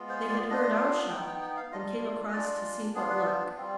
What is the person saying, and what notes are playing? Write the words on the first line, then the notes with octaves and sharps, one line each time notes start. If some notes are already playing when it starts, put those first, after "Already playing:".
They had heard our shot, and came across to see what luck.
Already playing: G#3 B3 F4
C5
D5
B3 D4 F4 D#5
B3 D#4 G5
G5
G5
F5
G3 D4 F4 D#5
D#5
G#3 D4 F4 D5
B3 D4 F4 G#4
B4
C5
G3 C4 F4